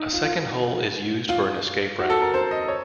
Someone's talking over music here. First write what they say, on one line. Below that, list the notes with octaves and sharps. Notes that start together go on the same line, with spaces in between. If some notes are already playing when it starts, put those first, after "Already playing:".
A second hole is used for an escape route.
Already playing: D#4
F4
F4
F4
F#4
A4
A#4
C5
D#5
C#5